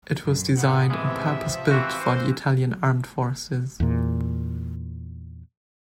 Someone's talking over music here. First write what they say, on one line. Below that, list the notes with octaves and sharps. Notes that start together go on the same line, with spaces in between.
It was designed and purpose-built for the Italian armed forces.
A#1 F#2
G#1 A2 C#3 B3 C4 F#5
C3 E3 F3 G#3 E5
E3 C4 F#4 F5
C5
E2 A#2